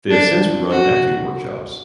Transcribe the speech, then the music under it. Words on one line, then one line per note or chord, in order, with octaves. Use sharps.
They have since run acting workshops.
D4
F#4